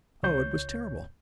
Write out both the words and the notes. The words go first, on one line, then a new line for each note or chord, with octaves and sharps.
Oh, it was terrible!
C#2 C#5 G6